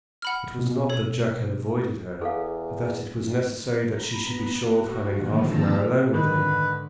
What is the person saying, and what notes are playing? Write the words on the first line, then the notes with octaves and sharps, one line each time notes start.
It was not that Jack had avoided her, but that it was necessary that she should be sure of having half-an-hour alone with him.
F#5 B5 F6
B2
A4 C#5
E2 G#4 A4 F5
A#5 B5
B3
F#4
A#2 D3 D#3 F3 G#3 A#3
F2 C5 A5 A#5 E6
G#2 D3 D#3 B4